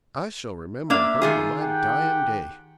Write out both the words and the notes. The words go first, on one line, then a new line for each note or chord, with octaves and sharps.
I shall remember her to my dying day.
A#3 D4 E5 F5
D#3 F4 G#4
G4 F#5 G5